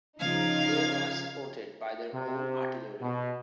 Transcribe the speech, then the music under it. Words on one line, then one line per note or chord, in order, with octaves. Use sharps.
They were supported by their own artillery.
C#3 F3 D#4 F5 G#6
C3
B2